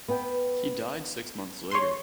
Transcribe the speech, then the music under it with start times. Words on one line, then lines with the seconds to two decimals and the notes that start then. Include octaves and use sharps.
He died six months later.
0.08 B3 B4 G5
1.71 C#5 C6